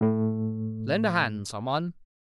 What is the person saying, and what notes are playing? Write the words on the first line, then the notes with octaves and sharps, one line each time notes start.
Lend a hand, some one.'
A2 A3